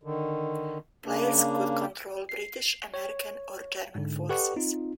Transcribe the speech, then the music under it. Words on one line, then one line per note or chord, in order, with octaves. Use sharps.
Players could control British, American, or German forces.
D3 D#3
C#3 A#3 D4
C7
C#5
G#2 D3
G4 A4 B4 D5 F#5 C#6
C4 D#4 F4